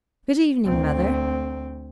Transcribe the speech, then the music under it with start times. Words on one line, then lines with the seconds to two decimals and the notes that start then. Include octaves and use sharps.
'Good evening, Mother.'
0.66 D2 C4